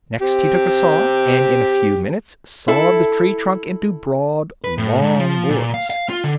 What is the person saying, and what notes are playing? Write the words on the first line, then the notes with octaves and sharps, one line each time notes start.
Next he took a saw and in a few minutes sawed the tree-trunk into broad, long boards.
C4 G4
E4 A4
B4
A2
G#2
F3
A#2
F5
F5
F4
D3